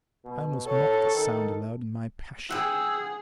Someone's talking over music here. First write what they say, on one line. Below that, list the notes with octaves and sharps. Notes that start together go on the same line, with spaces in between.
I almost mocked the sound aloud in my passion.
B2
A4 C#5
D#3
G#4 F#5 G5 E6